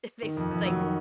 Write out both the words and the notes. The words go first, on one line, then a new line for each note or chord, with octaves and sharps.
they've, like,
D#3
F2
F2
F#3
D#3